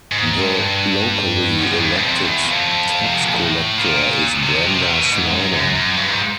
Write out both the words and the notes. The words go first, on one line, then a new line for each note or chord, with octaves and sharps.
The locally elected tax collector is Brenda Snyder.
G#2
G2
F#2
G2
E2
F2
E2
F2
C3
B2
A#2
A2
A#2
C3
B2
C3
A#2
B2
G#2
F#2
F#2
F#2
G2
G#2